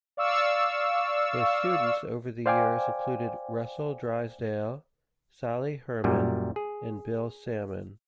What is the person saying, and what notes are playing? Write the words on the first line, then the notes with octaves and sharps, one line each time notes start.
Their students over the years included Russell Drysdale, Sali Herman and Bill Salmon.
D5 F5 C#6 E6
C5 D5 F5 G5 G#5 D6
F#2 A#2 G3
G#4